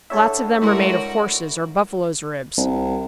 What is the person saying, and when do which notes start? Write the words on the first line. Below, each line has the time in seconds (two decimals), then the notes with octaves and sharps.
Lots of them are made of horses' or buffaloes' ribs.
0.10 A2 D3 G3 A4 C#5 E5
0.62 G3 G#3 E4 F#4 A#4 C6
2.57 C2